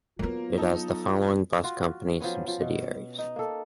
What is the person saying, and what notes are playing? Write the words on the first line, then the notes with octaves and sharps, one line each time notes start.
It has the following bus company subsidiaries.
F#3 A#3 B3 F4 A#4
D#4 A4
F4 F#4
F3 F#3 B3 C#4
F3
B2
D#4
A#3 A4